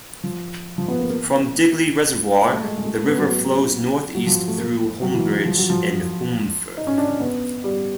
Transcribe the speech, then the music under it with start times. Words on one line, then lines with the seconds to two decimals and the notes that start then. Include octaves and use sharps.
From Digley reservoir, the river flows north east through Holmbridge and Holmfirth.
0.24 F3
0.78 F3
0.88 B3
1.00 A#3
1.10 A#3
2.41 A#3
2.53 A3
2.63 G#3
2.77 G#3
2.85 A3
2.95 A#3
3.06 B3
3.18 F#3
4.15 F#3
4.27 F3
4.48 A3
4.58 A#3
5.02 F#3
5.14 E3
5.46 F3
5.58 F#3
5.70 F3
6.77 D#4
6.87 C#4
6.98 D4
7.09 C#4
7.20 B3
7.64 G3